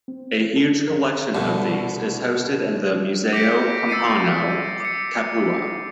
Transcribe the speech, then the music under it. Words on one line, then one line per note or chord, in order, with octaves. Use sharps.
A huge collection of these is hosted in the Museo Campano, Capua.
C4
A4
A#4
C2 B2 D3
D6 G6 A#6 B6 C#7 D7
E6 A6 C7 C#7 D#7
D6 C#7